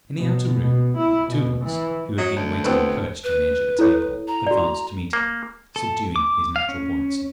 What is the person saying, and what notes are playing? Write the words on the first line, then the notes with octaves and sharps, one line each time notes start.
In the outer room Toodles, who had been waiting perched on the edge of a table, advanced to meet him, subduing his natural buoyancy.
B2
B2
E4
B2
E3
F#3 D#5
D2
B3 C4 B4
B4
E4 A4 C#5
A#5
F#4 D5
A#3
A4
D6
F5
C#4